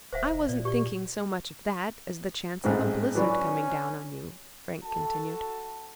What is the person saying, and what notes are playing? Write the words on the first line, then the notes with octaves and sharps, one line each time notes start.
"I wasn't thinking so much of that as the chance of a blizzard coming down on you," Frank continued.
D1 C5 E5 F#5
F1
A#2 D5
G4 D5
A1 G#2 C4
E3 F#3 C#4 D4
F#4 A4 A5